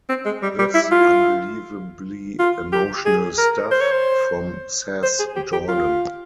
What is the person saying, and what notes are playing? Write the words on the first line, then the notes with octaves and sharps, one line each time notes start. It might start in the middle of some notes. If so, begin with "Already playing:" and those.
This unbelievably emotional stuff, from Sass Jordan.
C4
G#3
G3
G3
E4
F4
F4
G4
G#4
A#4
C5
C#5
C5
C5
G#4
G4
G4
F4